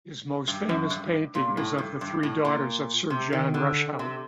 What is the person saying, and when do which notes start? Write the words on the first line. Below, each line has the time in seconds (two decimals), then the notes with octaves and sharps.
His most famous painting is of the three daughters of Sir John Rushout.
0.48 G2
0.69 F#2
0.90 G2
1.35 A#2
1.57 A2
1.78 G2
2.01 G2
2.23 A2
2.45 A#2
3.10 C3
3.33 D#3
3.54 D3
3.99 C3